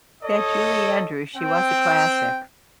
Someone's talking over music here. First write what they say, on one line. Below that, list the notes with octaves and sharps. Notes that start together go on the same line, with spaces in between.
That Julie Andrews, she was a classic.
A4 C#5 D#5
C4 G5